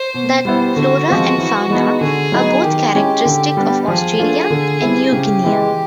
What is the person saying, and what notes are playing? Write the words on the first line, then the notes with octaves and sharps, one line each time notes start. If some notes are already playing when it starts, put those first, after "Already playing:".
The flora and fauna are both characteristic of Australia and New Guinea.
Already playing: C5
B2
G3 B3 E4
D3 F#4
F3 G#3 C4 F4
E3
G#3 B3 D#4
D3 G#4
F#3 B3 D#4
D#3 G4
G#3 C#4 E4
D3
G3 B3 D4
F3 G#4
A3 D4 F4
D3
G3 C4 E4
C#3 G4
E3 G#3